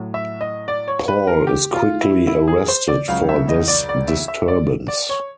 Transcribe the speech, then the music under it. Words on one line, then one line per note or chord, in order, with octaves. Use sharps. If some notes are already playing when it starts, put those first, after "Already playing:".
Paul is quickly arrested for this disturbance.
Already playing: A2 F#3
E5
D#5
D5
C#5
B4
A#4
G4
F4
E4
E4
G#4
C5
D5
C#2 C#3 F#3 F5
E5
D#5
D5
D5
E5
E5
D5
D5
C#5